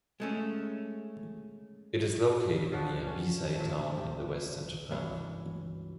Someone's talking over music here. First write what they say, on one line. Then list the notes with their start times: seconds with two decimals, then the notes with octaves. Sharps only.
It is located near Bisei town in the western Japan.
0.20 G#3 A3 C#4
2.72 C#3 F3 D4 F#4
3.07 C#4
3.55 A#2 A3
3.98 G4
4.91 C#2 G2 E3 F#3